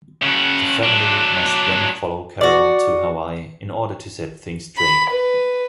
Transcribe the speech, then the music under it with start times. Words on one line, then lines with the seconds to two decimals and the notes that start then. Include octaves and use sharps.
The family must then follow Carol to Hawaii in order to set things straight.
0.22 C#3 F#4
0.83 F#3 D4
2.41 F#4 D5
4.78 B5
5.10 B4